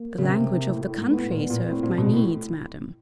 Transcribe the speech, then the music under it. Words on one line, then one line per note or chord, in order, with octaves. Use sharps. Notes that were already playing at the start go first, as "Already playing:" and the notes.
"The language of the country served my needs, madam."
Already playing: A#3
C#3
C3
C3
A2
A2
G#2
A2 B3
A#2
B3
A#2
A2 C4
A#2
B2
A2